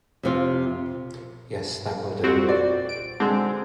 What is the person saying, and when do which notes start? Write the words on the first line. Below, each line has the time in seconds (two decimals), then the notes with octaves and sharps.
Yes, that will do.
0.23 F2 C3 F4
2.23 F2 G3 C4 F#4
2.49 D5
2.89 D7
3.20 D3 G#3 C4